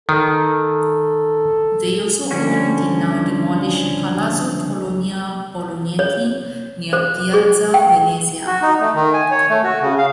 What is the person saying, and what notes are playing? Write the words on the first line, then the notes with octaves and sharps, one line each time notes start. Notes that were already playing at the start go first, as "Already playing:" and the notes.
They also owned the now demolished Palazzo Torlonia-Bolognetti near Piazza Venezia.
D#3 A4
D3 F3 G3 C#4 F#4
C#5
C5
G#4
G5
F#4
D#4
A3
D#3
G#5
C#5
A3
F#4
C#3
F5